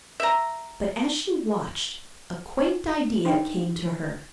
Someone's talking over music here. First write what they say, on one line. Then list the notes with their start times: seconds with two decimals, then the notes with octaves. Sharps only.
But as she watched, a quaint idea came to her.
0.20 E5 A#5
3.25 D4 D#4 G5